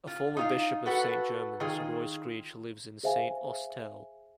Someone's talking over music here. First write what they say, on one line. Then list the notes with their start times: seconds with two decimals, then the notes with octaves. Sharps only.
A former Bishop of Saint Germans, Roy Screech, lives in Saint Austell.
0.07 F4
0.37 D#4 F4 F5
0.86 F#4 A4 B4 F#5
1.60 D#3 F4 G#4
3.03 G#4 C5 E5 F5 G#5